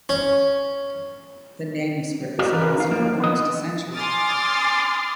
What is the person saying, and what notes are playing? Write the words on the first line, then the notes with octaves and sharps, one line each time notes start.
The manuscript was lost for almost a century.
C#4
F#4 G4 D5 D#5 F5
E3 A#4 B4
D#4 F5
F3 A#3 A#4
B3 D#5
G#5 C6 D6 D#6 F6 A6